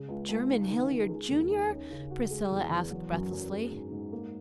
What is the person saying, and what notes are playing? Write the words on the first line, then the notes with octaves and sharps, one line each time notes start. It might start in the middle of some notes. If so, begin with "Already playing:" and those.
"Jermyn Hilliard, Junior?" Priscilla asked breathlessly.
Already playing: C#3 G#3
C#2
C#2
D#4
D#3
D#3
G#3
D#2
D#4
C#4
C#3
F#4
G#3
E2
E2
F#3
F#2
F#2
G#3
G#2
G#2
A#3